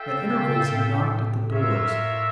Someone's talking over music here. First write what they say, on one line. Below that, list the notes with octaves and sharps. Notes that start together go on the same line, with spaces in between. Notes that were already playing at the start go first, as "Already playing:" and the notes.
At intervals he knocked at the doors.
Already playing: F4 A4 E5 G5
C#3
A2
F4 A#4 C#5 E5